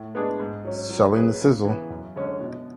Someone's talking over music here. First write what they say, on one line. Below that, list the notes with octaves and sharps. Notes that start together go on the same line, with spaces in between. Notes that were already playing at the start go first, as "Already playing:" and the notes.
Selling the Sizzle!
Already playing: A2
G#3 B3 D4 G#4
G#2
F#3 C#4
F#3
C#4 G#4 B4
C#3
E3
B3
F#2
D3 G#3 C#4
B2